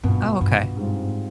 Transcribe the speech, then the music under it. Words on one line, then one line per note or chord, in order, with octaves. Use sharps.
Oh, okay.
G2 B2 B3 F4
G2
G#2 G3 C4 F4